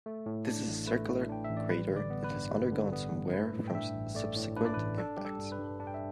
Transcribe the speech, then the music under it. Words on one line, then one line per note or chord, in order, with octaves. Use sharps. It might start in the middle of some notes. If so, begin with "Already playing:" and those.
This is a circular crater that has undergone some wear from subsequent impacts.
A3
A2
D4
A1
A3 B4
A2
D4 G5
E5
A1
D5
G3 B4
D3
D5
B3
B4
G2
G3
D3
B3
G2
A3 B4
A2
G5
D4 E5
A1
A3 D5
A2
D4 B4
D5
B4
A1
D4 A4
G3 G4
A4
G2
B4
G2
D4
G5
E5